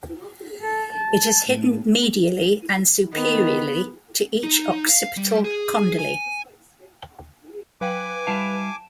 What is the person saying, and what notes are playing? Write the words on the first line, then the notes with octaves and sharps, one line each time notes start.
It is hidden medially and superiorly to each occipital condyle.
A4
A5
A2
D#3 B3
D#4
F5
G3
G#4
G#5
F#3 B4 F5 G5 G#5 D6
G3 E4 F5 A5 D7 E7